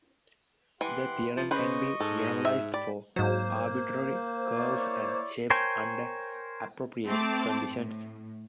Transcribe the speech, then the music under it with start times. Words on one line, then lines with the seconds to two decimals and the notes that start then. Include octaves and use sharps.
The theorem can be generalized for arbitrary curves and shapes, under appropriate conditions.
0.81 E3 G4 F#5 C6
1.37 F3
1.51 C#3 B4 C5 D#5 C#6
2.00 G#2 A4
2.45 E5
2.74 G4 D5 B5
3.16 G#2 F#3 A#3 C5
4.55 E4 C#5 D5
5.50 A#4 C5 C#5 G5 G#5
7.06 A3 C4 A5 D6
7.70 A2